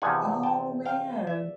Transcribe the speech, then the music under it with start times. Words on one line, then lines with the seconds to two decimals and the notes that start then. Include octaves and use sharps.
Oh, man.
0.02 E2 C3 F3 A#3 D#4 F#5 G#5
0.43 G5 A5
0.86 F5 G5
1.27 D5 E5